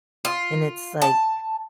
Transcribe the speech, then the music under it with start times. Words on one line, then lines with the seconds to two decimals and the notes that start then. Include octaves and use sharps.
and it's like,
0.25 F4
1.02 A5